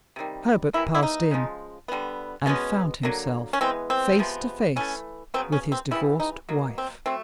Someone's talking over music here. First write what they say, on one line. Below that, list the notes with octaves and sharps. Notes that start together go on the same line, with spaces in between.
Herbert passed in--and found himself face to face with his divorced wife.
C3 D#3 G3
E3 G3 A#3 E4
E4
D#4
C#3 F3 G#3
D3 G3 B3
B2 G#3 B3 C#4
D3 F#3 A#3
C#4
E3 G#3 B3 C4
C4
C3 F3 G#3 B3
E3 A3 C#4
C#3 F#3 B3 C4
C#4
C4
C#3 E3 G3 E4
D#4
B2 F#3 A#3
C4
F#3 A3 C4